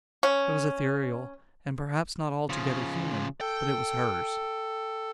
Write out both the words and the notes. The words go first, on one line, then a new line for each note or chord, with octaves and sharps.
It was ethereal, and perhaps not altogether human, but it was hers.
C#4
C#3 F3
A4 G5